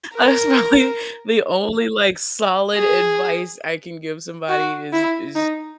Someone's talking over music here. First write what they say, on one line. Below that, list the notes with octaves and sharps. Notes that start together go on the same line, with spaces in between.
That is probably the only, like, solid advice I can give somebody is is
A#4
G#4
F#4
E4
D#4